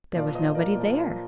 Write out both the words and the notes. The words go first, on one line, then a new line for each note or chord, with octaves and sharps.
There was nobody there.
A#2 F3 D5 F5
C5 D#5
A#4 D5
A#2 F3